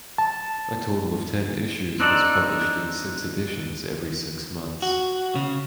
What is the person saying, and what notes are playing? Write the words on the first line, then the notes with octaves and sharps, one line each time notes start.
A total of ten issues was published in six editions every six months.
A5
C4 D4 D#4 A4 D5
F#4
C#3